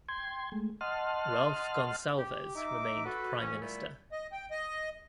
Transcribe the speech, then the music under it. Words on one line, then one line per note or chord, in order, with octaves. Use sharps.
Ralph Gonsalves remained Prime Minister.
G5 C6 G#6
G#3 A3
D#5 F#5 A5 C6 F6
G4
D#4 E5 D6
F#4 A4 B4
F2 D3 E3 C#4
A#2 G3 A3 B3 E4
D#5
G5
D#5